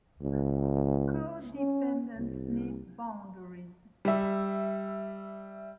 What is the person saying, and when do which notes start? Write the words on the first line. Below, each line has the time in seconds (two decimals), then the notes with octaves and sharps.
Codependents need boundaries.
0.21 C#2
1.56 C#4
2.17 C2
4.05 G3 E5